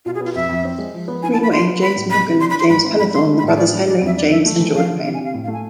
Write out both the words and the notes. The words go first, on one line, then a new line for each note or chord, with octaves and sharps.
Greenway, James Morgan, James Pennethorne, the brothers Henry, James and George Pain.
B2 F4
G#4
B3 F4
F2 E5
F2
C4
G#3
F3
B3
E4 G#5
A5
E4
B5
B3 C6
B3
B3 B5
A2
C3 B5
C3
D4 C6
B5
D4 C6
G#2 B5
C4
G#2 B5
A3 C6
G#3
B5
A2 A5
G#4 D5
D4
G#3 D5
F2 E5
D3 D5
F3 E5
A3
E3
F3 F5
D3
C3 F5
G#5
C3
F5
A2
F5
A3
G#5